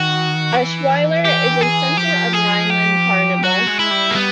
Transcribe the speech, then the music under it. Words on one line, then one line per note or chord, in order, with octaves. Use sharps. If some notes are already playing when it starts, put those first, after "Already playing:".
Eschweiler is a center of Rhineland carnival.
Already playing: D#3 F#4
E3
G4
G#4
F3 G4
G#4
G4
F#3 F#4
G#3
E4
G3
A#3
G3 B3